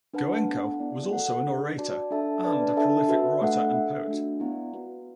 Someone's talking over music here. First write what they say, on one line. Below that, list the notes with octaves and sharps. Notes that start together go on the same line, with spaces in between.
Goenka was also an orator, and a prolific writer and poet.
D4 B4 F#5 A5
B3 D4 A4 F#5
B3 E4 D5 A5
F#4 A4 F#5
D4 B4 D5
F#4 D5 A5
D4 A4 E5 A5
D4 B4 D5 A5
D4 A4 E5 A5
F#4 B4 E5
A3 D4 A4 F#5
D4 A4 E5
A3 D4 F#4
B3 E4 D5 F#5
B3 F#4 B4